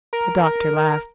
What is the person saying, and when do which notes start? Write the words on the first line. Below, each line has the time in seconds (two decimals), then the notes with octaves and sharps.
The doctor laughed.
0.13 A#4